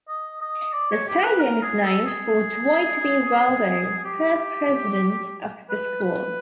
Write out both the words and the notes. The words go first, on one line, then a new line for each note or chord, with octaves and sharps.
The stadium is named for Dwight B. Waldo, first president of the school.
D#5
D#5
D5
C#5
G4
B4
A#4
G#4
A4
G#4
G4
B4
B4